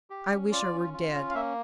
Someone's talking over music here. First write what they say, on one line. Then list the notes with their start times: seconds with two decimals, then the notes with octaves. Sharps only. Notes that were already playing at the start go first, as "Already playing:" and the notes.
I wish I were dead.
0.10 G4
0.31 C#4
0.52 F4 D5
0.73 C#4
0.93 F4
1.13 C#4
1.30 F5
1.35 A#3 E5